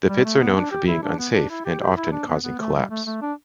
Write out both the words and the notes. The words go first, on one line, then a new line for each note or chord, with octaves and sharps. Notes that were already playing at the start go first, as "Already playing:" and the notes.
The pits are known for being unsafe, and often causing collapse.
G3
A3
B3
D4
G4
E4
D4
B3
D4
E4
G4
G4
E4
D4
B3
B3
A3
G3
A3
A3
D4